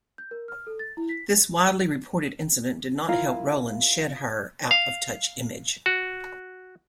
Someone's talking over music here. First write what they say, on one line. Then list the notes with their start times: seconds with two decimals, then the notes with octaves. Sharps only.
This widely reported incident did not help Rowlands shed her 'out-of-touch' image.
0.18 G6
0.31 A#4
0.48 F6
0.67 A4
0.79 A6
0.97 E4
1.09 B6
3.09 E4 F4 A#4 F5
4.71 F5
5.86 F#4